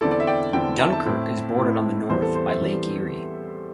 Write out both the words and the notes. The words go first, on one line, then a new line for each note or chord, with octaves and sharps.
Dunkirk is bordered on the north by Lake Erie.
E2 D3 C4 E4 A4 D5
D5
E5
D5 G5
E2 D3 C4 E4 D5 G5
E5 A5
E5 A5
A2 A3 C4 E4
A2 A3 C4 E4
E2 E3 G3 C4 C5
A4
C5
C5 E5
E2 E3 G3 C4